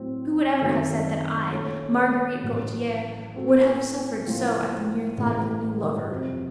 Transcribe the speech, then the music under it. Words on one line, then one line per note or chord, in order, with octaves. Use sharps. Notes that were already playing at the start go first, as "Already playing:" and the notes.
Who would ever have said that I, Marguerite Gautier, would have suffered so at the mere thought of a new lover?
Already playing: A2 F#3 C4
F#2 D#3 A3 C4 F#4
A#2 A3 C#4
A1 A2 F#3 A3
A2 A3 C4 F#4
A2 F3 A#3 F4
A1 A2 A3
F2 C3 F#3